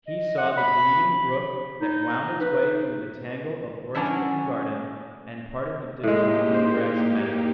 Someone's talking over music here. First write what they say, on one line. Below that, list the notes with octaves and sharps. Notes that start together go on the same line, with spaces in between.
He saw the gleaming brook that wound its way through the tangle of orchard and garden, and parted the distant blue-grass meadow.
D#5
F#5
B5
D#4
B4
F#3 C#4 D4 E4 E5
A2 G#3 A#3 D#4 G4
C5